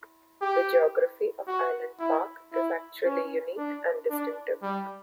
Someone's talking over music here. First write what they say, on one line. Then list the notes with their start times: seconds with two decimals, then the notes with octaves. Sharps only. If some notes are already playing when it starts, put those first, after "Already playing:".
The geography of Island Park is actually unique and distinctive.
0.41 G4
1.47 F#4
1.99 E4
2.52 E4
3.05 C#4
3.57 D4
4.10 D4
4.62 G3